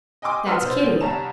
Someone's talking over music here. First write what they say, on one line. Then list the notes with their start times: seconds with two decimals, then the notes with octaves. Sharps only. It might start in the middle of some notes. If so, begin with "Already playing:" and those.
"That's Kitty."
0.22 D#5 G5 G#5 C6 D6 D#6
0.46 B4 F#5 C6 E6 F6
0.61 B2 C5
1.01 C2 G3 C#5 A5 A#5 E7